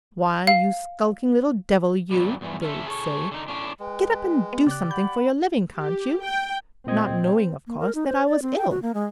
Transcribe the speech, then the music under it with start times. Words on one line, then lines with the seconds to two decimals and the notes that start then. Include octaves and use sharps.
"Why, you skulking little devil, you," they would say, "get up and do something for your living, can't you?"--not knowing, of course, that I was ill.
0.47 F5
2.11 E2 F#3 G3
2.41 E2 G2 E3
2.62 C#4 A4 E5
2.86 G#4 A4 C#5
3.31 D3 D#4
3.48 A2 C#4 D4
3.80 G#3 B4 G5
4.53 B3
4.67 C#3 G4 D5 F#6
4.91 F#5 B5 G6
5.78 G4
6.23 G5
6.87 A#2 C4 D#5 G#6
7.67 A#3
7.80 A#4
7.95 D#4
8.07 C5
8.26 D5
8.42 C4
8.58 G5
8.70 F#4
8.82 A#3
8.94 G#3